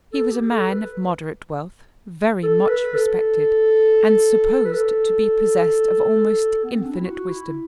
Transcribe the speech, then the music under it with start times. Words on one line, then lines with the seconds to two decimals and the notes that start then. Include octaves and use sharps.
He was a man of moderate wealth, very much respected, and supposed to be possessed of almost infinite wisdom.
0.13 A4
0.32 G4
0.51 A4
0.70 B4
2.43 A4
2.69 B4
2.94 A4
4.65 B4
4.73 A4
6.64 B3
6.74 C4
6.84 D4
6.94 E4
7.04 F#4
7.29 E4